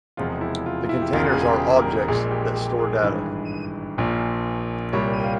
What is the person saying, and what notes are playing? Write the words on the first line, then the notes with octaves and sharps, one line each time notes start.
The Containers are objects that store data.
E1 E2 C3 F3 G#3 F4
E4
F4
E4
G4
E1 E2 C#3 F4
G#4
G4
A#4
A#1 A#2 G#3 G#4
G4
G4
G#4
G#1 G2 E3 G#3
A#1 A#2 F3
C2 A#2 G3 C#5
G5
F5